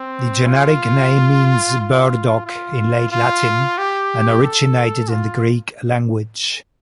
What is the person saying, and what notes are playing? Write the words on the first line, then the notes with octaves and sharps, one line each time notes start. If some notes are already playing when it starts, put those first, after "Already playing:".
The generic name means "burdock" in late Latin and originated in the Greek language.
Already playing: C4
F4
F4
F4
F4
G4
A4
F4